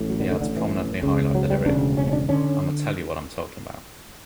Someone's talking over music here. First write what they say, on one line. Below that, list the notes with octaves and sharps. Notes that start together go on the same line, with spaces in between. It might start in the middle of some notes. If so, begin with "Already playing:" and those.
The ads prominently highlight the lyric, I'ma tell you what I'm talkin' 'bout.
Already playing: A1 A2
F#3
D3
D3
A1 A2 D3
E3
C#2 C#3
F#3
G3
E1 D2 C#3 D4
C#4
C#4
D4
D3 C#4